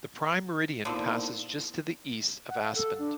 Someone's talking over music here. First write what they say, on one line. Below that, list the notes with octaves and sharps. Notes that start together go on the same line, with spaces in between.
The Prime Meridian passes just to the east of Aspenden.
A#2 D3 F3 B3 D#4 E4
F#5
F5
A4
D4